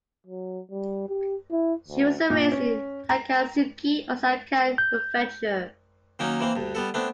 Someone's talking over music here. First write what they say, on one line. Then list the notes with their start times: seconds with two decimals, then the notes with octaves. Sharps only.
She was raised in Takatsuki, Osaka Prefecture.
0.27 F#3
0.71 G3
1.09 G4
1.51 E4
1.88 D2
2.30 A#2
2.52 C#4
3.09 A#5
4.78 G6
6.19 D#3 F#3 A#3 C#4 D#4
6.41 E3 A#3 C4
6.56 D2 G2
6.75 G3 B3 A4
6.94 A3 B3 C4 D4